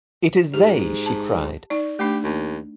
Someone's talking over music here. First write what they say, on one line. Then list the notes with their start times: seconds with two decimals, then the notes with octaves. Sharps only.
"It is they," she cried.
0.54 G#2 G4
1.06 A5
1.70 D#4 D5
1.99 A3 D4 G4
2.24 D#2